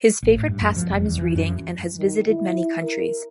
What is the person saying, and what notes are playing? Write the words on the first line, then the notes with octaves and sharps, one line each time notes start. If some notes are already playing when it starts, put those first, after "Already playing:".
His favourite pastime is reading and has visited many countries.
A1
A2
G2
F#2
F3
F1
E2
E3
F#2
D#3
E4
A#4